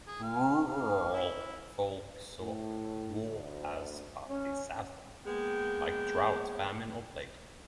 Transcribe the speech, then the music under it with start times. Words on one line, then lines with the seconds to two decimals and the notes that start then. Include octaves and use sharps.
Rural folk saw war as a disaster, like drought, famine or plague.
0.07 G#4
0.23 F5
0.69 F5
1.13 E4
2.40 A2
3.26 D2
4.29 C#4
5.26 G#3 A#3 B3 G5